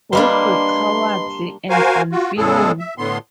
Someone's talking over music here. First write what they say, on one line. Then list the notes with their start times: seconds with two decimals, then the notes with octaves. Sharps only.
Both were "cowardly and unfeeling".
0.13 G3 A#3 D4 B4 D#5 B5 C6
1.70 F#4 A#4 C5 F5 G#5
2.12 F4 F#4
2.38 E2 A2 C#3 G#3 G#4 A4
2.79 E5
2.98 A2 D3 B3 C6